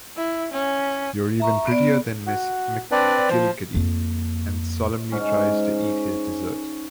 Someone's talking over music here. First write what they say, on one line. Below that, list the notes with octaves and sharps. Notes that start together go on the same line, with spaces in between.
You're even prettier than Miss McGillicuddy, and solemnly tries to eat his dessert.
E4
C#4
E5 A#5 C#6
B3 D5
F#4
C4 D4 B4 D5
F3 C5
F2 A#3
G#2 C#4